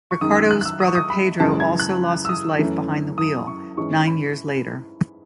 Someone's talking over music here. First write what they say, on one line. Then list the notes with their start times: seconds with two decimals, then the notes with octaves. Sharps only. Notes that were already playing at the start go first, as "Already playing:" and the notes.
Ricardo's brother Pedro also lost his life behind the wheel nine years later.
0.11 C#6
0.21 F#2 D#3 G#3 D#4 D#6
0.36 E6
0.51 F#6
0.61 F#6
0.65 E6
0.80 D#6
0.88 C#6
0.95 D#6
1.10 B5
1.40 F#2 C#3 E3 G#3 A5
1.60 G#6
1.80 F#6
2.25 E6
2.29 D#6
2.59 F#2 E3 A3 C#4
3.18 D#6
3.47 C#6
3.77 G#2 E3 G#3 C#4 C#6
4.07 B5